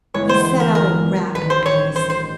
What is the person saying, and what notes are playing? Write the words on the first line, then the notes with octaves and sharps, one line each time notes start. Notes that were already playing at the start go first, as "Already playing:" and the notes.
He set out at rapid pace.
G1 G2 E3 G#3 B3 C#5
C5
C5
A#4
A#4
A1 G2 D#3 B4
C5
C#5
C5
C5